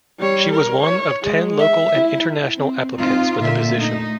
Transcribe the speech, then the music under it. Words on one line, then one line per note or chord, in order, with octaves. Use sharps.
She was one of ten local and international applicants for the position.
G3 C#5
A#4
C#5
G#3
E5
E4
C4
C4 D#4 F4
A#2 D3 A#3 F4 E5
A3 D#4